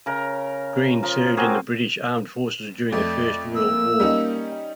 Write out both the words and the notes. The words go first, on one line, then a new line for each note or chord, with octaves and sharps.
Green served in the British Armed Forces during the First World War.
C#3 A#4
F3 A#4
A#3 C4 F#4 G#4
F2 A3 D5
A#3 E6
G3 C#4 D#4